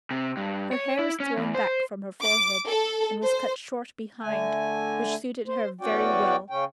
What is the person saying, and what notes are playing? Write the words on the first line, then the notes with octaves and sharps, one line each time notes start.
Her hair was thrown back from her forehead and was cut short behind, which suited her very well.
C3
G2
C#5
E4
C#4
E2
C5
D6
A4
C5
D3 A3 G#5
C5
E2 C#4 F#4 D5 G5
C#3 C#4 G5